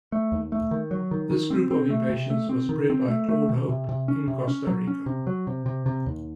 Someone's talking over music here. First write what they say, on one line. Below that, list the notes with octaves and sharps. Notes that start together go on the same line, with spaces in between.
This group of impatiens was bred by Claude Hope in Costa Rica.
A3
D#2
A3
D#3
F#3
D#3
D#3
C4
C4
A3
C3
A3
C4
D#3
C4
A3
A3
D#3
C3
C3
C#4
C3
C#4
F#3
C#4
C3
F#3
C3
C3
C3
D#2